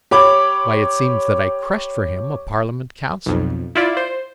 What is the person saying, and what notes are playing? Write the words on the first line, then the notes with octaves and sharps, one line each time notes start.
"Why, it seems that I crushed for him a parliament councillor."
G4 C#5 B5 D6
B1 F2
E4 F4 D5
C5